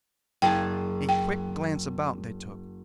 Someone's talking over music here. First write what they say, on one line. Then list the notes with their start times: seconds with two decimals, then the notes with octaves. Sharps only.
A quick glance about they took.
0.42 F#1 G#4 G5 A5
1.09 G5